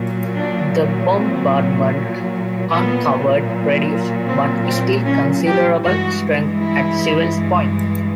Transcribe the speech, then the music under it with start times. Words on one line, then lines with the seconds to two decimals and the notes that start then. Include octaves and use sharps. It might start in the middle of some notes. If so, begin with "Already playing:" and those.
The bombardment uncovered reduced but still considerable strength at Sewells Point.
Already playing: A#2 F#3
0.37 D4
1.16 C4
2.71 A#2 F#3 B3
4.27 C4
4.66 C4
5.05 C#4
5.45 G4
5.83 G2 E3 G#3 F#4
6.61 E4